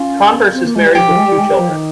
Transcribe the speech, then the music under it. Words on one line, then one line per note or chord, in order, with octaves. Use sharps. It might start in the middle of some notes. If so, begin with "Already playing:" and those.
Converse is married with two children.
Already playing: C#4 F4
C4
A#3
G#3
G3
F3 G4
F3
G#3
G3
G#3
G3
F3
D#3